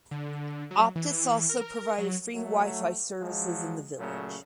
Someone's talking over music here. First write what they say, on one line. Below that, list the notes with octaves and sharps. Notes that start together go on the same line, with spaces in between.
Optus also provided free Wifi services in the village.
D3
F#3
E3
A#4
F#3
F#3 A3
F3 F#3 G#3
A#2 C#3 F#3 A3